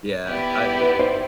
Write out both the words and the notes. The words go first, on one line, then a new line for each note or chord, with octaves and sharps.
Yeah. I hate it.
B3 E4 G4 D5
B4
C5